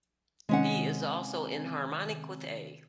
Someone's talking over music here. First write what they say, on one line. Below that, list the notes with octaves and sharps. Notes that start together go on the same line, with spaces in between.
B is also enharmonic with A.
C3 D#3 G#3 C4 C#4 F#5